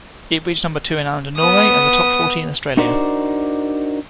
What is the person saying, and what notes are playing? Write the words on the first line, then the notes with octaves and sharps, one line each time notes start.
It reached number two in Ireland and Norway, and the top forty in Australia.
B3 D#6
D4 D#4 F#4 A#4 C5 D5